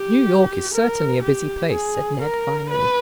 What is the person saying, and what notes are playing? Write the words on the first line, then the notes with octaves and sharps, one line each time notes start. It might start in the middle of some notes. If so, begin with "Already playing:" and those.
"New York is certainly a busy place," said Ned, finally.
Already playing: G4
A#4
G4
G#4
A#4
B4